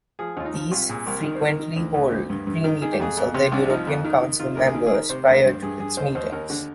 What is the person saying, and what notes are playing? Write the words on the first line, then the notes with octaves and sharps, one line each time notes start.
These frequently hold pre-meetings of their European Council members, prior to its meetings.
F3 G#4
D#2 F4
D#4
F3
C2 F4
A#2 G#4
C2 A#4
D#3 A#4
C5
D#3 A#4
D#3
D2
D2
D2
G2
G2
D#3
D#3 G#4
G4
F2 G#4
F2
C3 G4
C2 D4
F3 D#4
F2
D#3
D#3
D#3 F4
D2 A#4
G#4
D#3
G#4
D#3 A#4
C3 C5
D2 A#4
G2 C5
G2 G#4
G2 G#4
D#2 C5
D#2 C5
D#2 A#4
D3